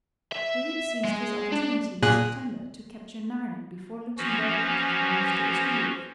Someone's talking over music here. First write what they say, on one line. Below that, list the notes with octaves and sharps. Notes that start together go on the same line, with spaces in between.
William seized his opportunity in September to capture Naarden before Luxemburg could advance to its relief.
E5
G#3
D4
A#2 G#4 F#6
E3 F3 C#4 F#4